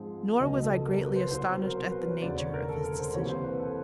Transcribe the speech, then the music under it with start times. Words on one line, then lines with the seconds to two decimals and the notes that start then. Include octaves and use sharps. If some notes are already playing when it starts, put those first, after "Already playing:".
Nor was I greatly astonished at the nature of his decision.
Already playing: G#2 F3 G#3 C4
0.40 C#2 B2 F#3 D#5
0.63 A4
0.86 A#4
1.02 B4
1.16 C5
1.31 C2 B2 F#3 C5
1.62 A#4
1.77 C5
1.92 B4
2.07 C#5
2.22 E1 D2 C#3 D5
2.38 C#5
2.54 A#4
2.69 A4
2.84 A#4
2.99 C5
3.14 C2 C3 E3 G3 A#3 C#5
3.28 C5
3.44 B4
3.60 A4